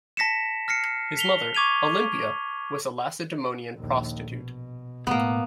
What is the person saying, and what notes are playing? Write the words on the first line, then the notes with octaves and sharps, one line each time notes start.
His mother, Olympia, was a Lacedaemonian prostitute.
A5 A#6 B6 C#7 E7
F6 A#6 C7 C#7
B6 F7 G7
C#6 D6 G#6 D#7 F7
A#1 D#2
B2
A2 A#3 B3